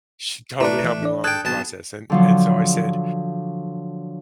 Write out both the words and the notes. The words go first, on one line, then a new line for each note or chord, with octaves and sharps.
She totally helped me along with the process. And and so I said,
A3 D4 E4 B4 D5 A#5
E3
D4 D5
A4 G5 D#6 F#6 G#6
B1 A5
D3 F3 F#3